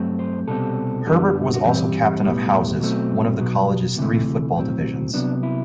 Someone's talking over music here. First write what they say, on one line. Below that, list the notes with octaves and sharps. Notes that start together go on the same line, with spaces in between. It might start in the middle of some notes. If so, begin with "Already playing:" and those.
Herbert was also Captain of Houses, one of the College's three football divisions.
Already playing: G2 F#3 A3 C4
C5
C2 B2 G3 C4 A4
F#2 D3 G3 B3
F#4
G2 E3 G3 C4 G4
B1 A2 G3 B3
B2 F#3 A3 C4
B1 B2 F#3 B3
D2 C3 E3 A3
B1 A2 F#3 C4
C2 C3 F#3 B3 D4
E4